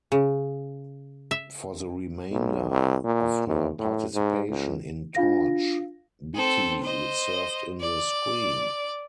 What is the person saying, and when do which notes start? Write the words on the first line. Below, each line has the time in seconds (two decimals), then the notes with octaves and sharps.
For the remainder of her participation in "Torch," "Beatty" served in the screen.
0.12 C#3
1.31 E5
2.31 B1
2.69 C2
3.04 A#2
3.47 D#2
3.79 A2
4.14 G#2
4.49 C#2
5.15 D4 F4 F5 A#6
6.35 C4 A4
6.83 C5 D#5
7.80 D5